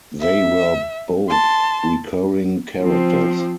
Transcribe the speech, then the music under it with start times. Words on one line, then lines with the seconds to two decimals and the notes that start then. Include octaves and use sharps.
They were both recurring characters.
0.21 E5
1.29 A5 C6
2.81 F3 C4